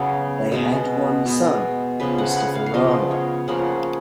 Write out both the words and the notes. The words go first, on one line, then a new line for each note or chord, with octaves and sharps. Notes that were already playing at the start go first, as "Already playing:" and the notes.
They had one son, Christopher Rama.
Already playing: C#3 F#3 B3
B2 G#3 B3
B2 G#3 B3
C#3 F3 B3 B4
F#5
F#5
F5
F5
C#3 F3 B3 D#5
C#5
C#3 F3 A#3 F#5